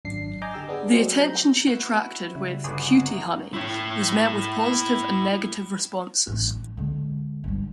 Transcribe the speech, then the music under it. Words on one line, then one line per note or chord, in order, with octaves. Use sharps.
The attention she attracted with "Cutie Honey" was met with positive and negative responses.
G#1 F#2 D4 C7
D#5 G#5 A#5 D6 G6
D3 G4 E6
B3 D4 G#4
F#3 C4 G4 D#5
A#5 G6
E4 F#4 B4
C#3 G3 E5
G1 F#4 G#4 A4 B5 D6
E5 A#5
E4 C#5
A1 D4
E4
D3 G#3
G1 G3